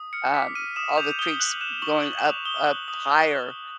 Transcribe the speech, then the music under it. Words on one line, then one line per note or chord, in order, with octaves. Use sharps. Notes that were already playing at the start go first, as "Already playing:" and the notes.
um, all the creeks going up up higher,
Already playing: D#6
F6 C#7
D6 B6
F6 D#7
D#6 E7
G6 F7
D#6 G7
F#6 F#7
F#6 E7
C#6 F#7
D#6 F#7
E7
F#6 F7
D#6 G7
F#6 F#7
D#6 F#7